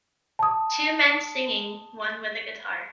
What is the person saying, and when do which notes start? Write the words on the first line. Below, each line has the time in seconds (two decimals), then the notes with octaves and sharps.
Two men singing one with a guitar.
0.39 A5 D#6